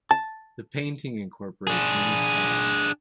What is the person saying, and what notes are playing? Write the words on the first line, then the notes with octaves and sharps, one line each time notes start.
The painting incorporates many styles.
A5
D4 G#4